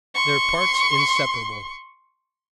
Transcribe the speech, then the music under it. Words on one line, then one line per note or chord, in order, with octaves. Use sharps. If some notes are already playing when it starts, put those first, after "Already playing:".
Their Parts inseparable.
C6 C#6